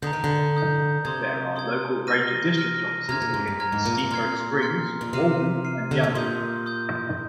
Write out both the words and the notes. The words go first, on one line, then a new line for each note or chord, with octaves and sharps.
There are local ranger district offices located in Steamboat Springs, Walden, and Yampa.
D3 A#5 D#6 G6
D#3
D3
A#5 D#6 G6
C3 C6 D#6 G#6
C6 D#6 G#6
F6 A#6 D#7
F6 A#6 D#7
C3 A#5 F6 G#6
A#2
G#2
G2
G#2 A#5 F6 G#6
G#2
A#2
A#2
A#2 C6 F6 G#6 C7
C6 F6 G#6 C7
A#2
C3 F6 C7 D#7
F6 C7 D#7
D3
C3
A#2 C6 D#6 G6
C6 D#6 G6